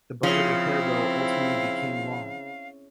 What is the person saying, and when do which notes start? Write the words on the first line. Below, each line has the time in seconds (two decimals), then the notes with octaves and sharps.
The budget repair bill ultimately became law.
0.23 C#3 F3 C4 E4 F5